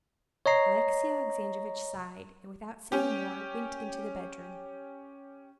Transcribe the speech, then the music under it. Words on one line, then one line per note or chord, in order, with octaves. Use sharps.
Alexey Alexandrovitch sighed, and, without saying more, went into the bedroom.
C#5 D#5 A#5 C7
C#4 G4